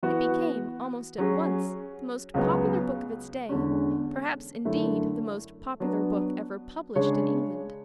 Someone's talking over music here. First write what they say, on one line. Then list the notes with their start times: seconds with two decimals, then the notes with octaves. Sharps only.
It became, almost at once, the most popular book of its day, perhaps, indeed, the most popular book ever published in England.
0.03 E3 B3 F#4
1.18 F#3 C#4 G#4
2.34 C#2 C#3 F#3 B3
3.49 E2 D3 G#3 C#4
4.65 F#2 D3 A3 E4
5.80 F#3 B3 D4
6.95 C#3 G#3 D4 G#4 C#5